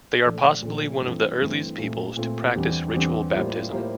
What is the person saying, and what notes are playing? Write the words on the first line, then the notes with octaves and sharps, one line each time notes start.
They are possibly one of the earliest peoples to practice ritual baptism.
A#2 F3 A3 D4 A4
A#2 F3 A3 D4 A4
G2 E3 A3 C4
G2 E3 A3 C4
A#2 A3 C4 F4
A#2 A3 C4 F4
E2 D3 G3 C4
E2 D3 G3 C4
A2 G3 A#3 F4 C5
A2 G3 A#3 F4 C5